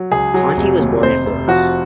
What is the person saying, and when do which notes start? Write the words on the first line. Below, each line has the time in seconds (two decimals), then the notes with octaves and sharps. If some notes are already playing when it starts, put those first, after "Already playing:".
Conti was born in Florence.
Already playing: F#3
0.11 C#2 G#4
0.34 F#3
0.57 F1
0.80 D#2
1.03 F1 C5
1.25 F1
1.48 F3 F#4